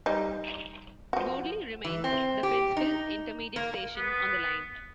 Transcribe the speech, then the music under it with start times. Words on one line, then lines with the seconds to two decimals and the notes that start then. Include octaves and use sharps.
Bewdley remains the principal intermediate station on the line.
0.06 G3 D#4
1.13 F3 F#4
1.84 E3
2.04 C4
2.43 G4
2.77 D#4
3.56 A#3
3.97 B3